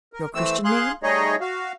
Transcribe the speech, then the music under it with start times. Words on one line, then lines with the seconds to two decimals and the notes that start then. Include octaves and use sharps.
"Your Christian name?"
0.13 A#4
0.34 E3 A3 C4 E6
0.64 G#4 F5 C6 F#6
1.03 G3 A3 D#4 G#4 C#5 D#5
1.41 F#4 F5